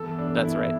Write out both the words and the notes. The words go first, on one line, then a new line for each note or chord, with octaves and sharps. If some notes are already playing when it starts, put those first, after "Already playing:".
That's right.
Already playing: G2 E3 B3 A4
D4
E4